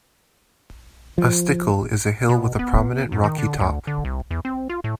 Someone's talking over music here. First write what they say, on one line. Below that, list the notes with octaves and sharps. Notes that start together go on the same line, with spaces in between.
A "stickle" is a hill with a prominent rocky top.
F3
B2
B3
F#2
D#3
D3
D2
D3
C2
E2
C4
F4
A2